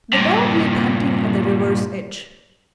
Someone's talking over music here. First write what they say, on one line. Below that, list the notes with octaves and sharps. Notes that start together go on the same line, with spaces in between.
The dog lay panting at the river's edge.
G2 A#2